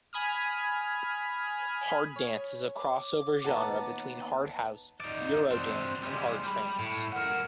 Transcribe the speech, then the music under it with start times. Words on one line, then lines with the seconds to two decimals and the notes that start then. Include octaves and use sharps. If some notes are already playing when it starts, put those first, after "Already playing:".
Hard dance is a cross over genre between hard house, Eurodance and hard trance.
0.13 G#5 B5 D#6 F6
2.16 C#5
2.76 D6
3.45 D#2 B3 F#5 A5 A#5
5.00 D#4 D5
5.51 C4 D4
6.03 G3 G#3
6.44 G3 B5
6.79 A2
7.12 A#4 F#5